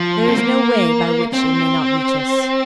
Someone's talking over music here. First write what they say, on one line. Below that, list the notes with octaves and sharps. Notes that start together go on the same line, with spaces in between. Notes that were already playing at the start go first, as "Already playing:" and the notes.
There is no way by which it may not reach us.
Already playing: F3
C4
A#3
C4